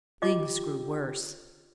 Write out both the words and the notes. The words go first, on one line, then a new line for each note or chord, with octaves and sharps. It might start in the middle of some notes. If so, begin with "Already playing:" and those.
Things grew worse.
F4 G4 D#5 D6